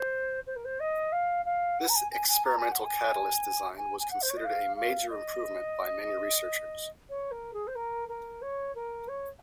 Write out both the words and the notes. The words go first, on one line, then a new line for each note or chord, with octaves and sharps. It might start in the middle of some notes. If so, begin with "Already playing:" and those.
This experimental catalyst design was considered a major improvement by many researchers.
Already playing: C5
C5
A#4
C5
D#5
F5
F5
F#5
A#5
G#5
G#5
G#5
A#5
G#5
F#5
G#5
G#5
G#5
F#5
C5
C#5
D#5
F5
F5
D#5
C#5
A#4
G#4
C5
A#4
A#4
C#5
A#4
C#5